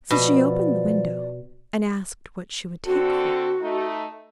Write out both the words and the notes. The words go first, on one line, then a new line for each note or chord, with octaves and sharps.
So she opened the window, and asked what she would take for it.
B2 F3 D5
D3 C4 F#4 A4
A3 D#4